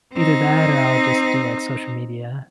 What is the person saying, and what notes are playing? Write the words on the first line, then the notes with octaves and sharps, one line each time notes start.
either that or I'll, just, do, like, social media.
C4 D#4